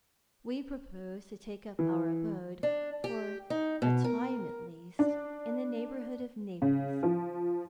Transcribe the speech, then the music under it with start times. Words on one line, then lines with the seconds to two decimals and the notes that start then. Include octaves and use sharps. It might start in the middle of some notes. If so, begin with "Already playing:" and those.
We propose to take up our abode, for a time at least, in the neighborhood of Naples.
1.79 E3
2.63 D4
3.04 G4
3.50 D#4
3.82 B2
4.04 A#4
4.99 D4
6.62 C#3
7.03 F3